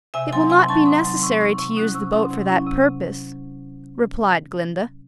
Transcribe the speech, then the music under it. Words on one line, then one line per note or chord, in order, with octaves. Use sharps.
"It will not be necessary to use the boat for that purpose," replied Glinda.
C3 E5 G#5
D#3 F#3 C4 D#4 G#5 C6
C3 G#5 C6
D#3 F#3 C4 D#4 A5 C#6
C3 C6 D#6
D#3 F#3 C4 D#4
C3 C#6 E6
D#3 F#3 C4 D#4 C#6 E6
C3 C#6 E6
F#3 C#4 E4 D#6 F#6
C3 C#6 E6
F#3 C#4 E4 C6 D#6
C3
F#3 C#4 E4
C3